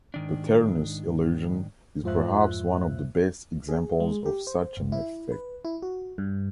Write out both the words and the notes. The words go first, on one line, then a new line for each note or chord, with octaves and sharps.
The Ternus illusion is perhaps one of the best examples of such an effect.
G#2 D#3 D4
F2 G#2 F4 C5 E5 F#6
G#4
G#3
G4
C5
G1
E4
B4
E4
F#4
G2